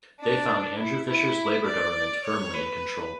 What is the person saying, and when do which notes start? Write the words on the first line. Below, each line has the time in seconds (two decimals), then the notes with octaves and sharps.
They found Andrew Fisher's Labor government firmly in control.
0.21 D4
0.79 E4
1.08 E4
1.66 D5
2.25 C#5
2.53 B4